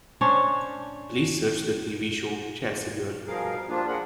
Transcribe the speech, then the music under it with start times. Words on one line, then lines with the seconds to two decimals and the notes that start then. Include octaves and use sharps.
Please search the TV show Chelsea Girl.
0.21 C#4 D4 C5 C#5
3.27 B2 F3 G3 G#4 A#4 F5
3.69 F3 G3 A#3 D4 F4
3.87 D4 F4 G#4 A#4 F#5 B5